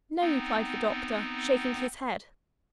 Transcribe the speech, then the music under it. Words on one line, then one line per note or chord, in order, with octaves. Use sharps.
'No,' replied the Doctor, shaking his head.
B3 C4 D#4